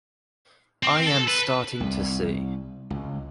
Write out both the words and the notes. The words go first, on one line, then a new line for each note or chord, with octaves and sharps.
I am starting to see.
C4
A4
B4
C2
C#2